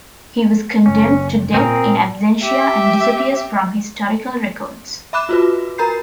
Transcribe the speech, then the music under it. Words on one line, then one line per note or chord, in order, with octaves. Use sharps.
He was condemned to death "in absentia" and disappears from historical records.
F#1 C#4
A#2 C4 G#4 A#4
G4 E5
E5 B5 D6 F#6 E7
F4 F#4 B4
A#4 A#5 B5 G6 C7